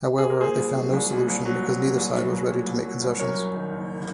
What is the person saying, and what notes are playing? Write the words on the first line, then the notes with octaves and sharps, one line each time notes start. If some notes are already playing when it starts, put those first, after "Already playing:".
However, they found no solution, because neither side was ready to make concessions.
G#4
A#4
A#2 G#4 C5
C2
F#3
C2
A#2
C2
F#3
C2
A#2
C2
F#3
C2
A#2
C2
F#3
C2
F#2 A#4 C#5
F#3
D#3
F#1